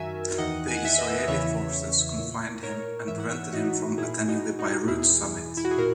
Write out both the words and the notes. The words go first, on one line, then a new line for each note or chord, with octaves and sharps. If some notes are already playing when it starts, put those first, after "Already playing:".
The Israeli forces confined him and prevented him from attending the Beirut Summit.
Already playing: F#2 D#3 F#4 A#4 E5 G#5
E2 D#3 D#5 F#5
G#5
F#5
E5 G#5
B4 D#5
E2 C#3 E3 C#5 E5
A#2
A#4 C#5
G#2 E3 E5
F#5
C#5 E5
D#4 F#4
A#2 E4 G#4
D#4 F#4
D#4 F#4
E2 B2 E4 G#4
E4
F#4
G#4
A#2 F#4 A#4